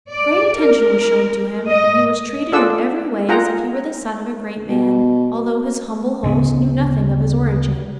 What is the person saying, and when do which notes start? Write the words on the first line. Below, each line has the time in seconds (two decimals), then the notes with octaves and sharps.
Great attention was shown to him, and he was treated in every way as if he were the son of a great man, although his humble host knew nothing of his origin.
0.11 D5
0.58 A#4
1.69 D#5
2.52 F4 G#4 A4 D5 F#5 E6
3.29 F4 G#4 F#5 G5 A#5
4.69 B2
6.23 D2 C#3 B3